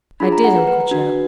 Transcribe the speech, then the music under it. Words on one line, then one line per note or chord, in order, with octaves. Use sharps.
"I did, Uncle Joe."
D4 F4 G#4 B5
A#5
F#5
B4
B4
B4
D4 F#4